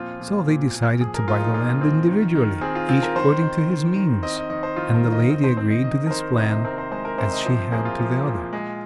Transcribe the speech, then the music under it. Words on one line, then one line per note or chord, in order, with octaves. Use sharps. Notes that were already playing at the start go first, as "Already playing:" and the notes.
So they decided to buy the land individually, each according to his means; and the lady agreed to this plan as she had to the other.
Already playing: A#2 F3 C4 F4
A#2
A#2
A#2
F3 G#4
A#4
F3 F4
D#4
A#2 F4
C4
D#3
D#3
C4 G#4
F4
C4 F4
A#4
D#3 C5
D#3
D#3
D#3
C4 D#5
D#5
D#3 D#5
C5
D#3 F4
A#4
D#3
D#5
C4 D#5
C5
C4 C5
D#5
D#3 D#5
A#4
D#3 C5
C3 D#5
C5
C4 A#4
C5
G#3 C5
A#4
C3 C5
D#5
F3 C5
A#3 G#4
F4
F3
A#2
G#3